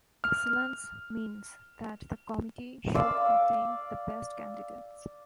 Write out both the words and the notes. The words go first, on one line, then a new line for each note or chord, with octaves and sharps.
Excellence means that the committee should contain the "best" candidates.
F6
D5 F5 E6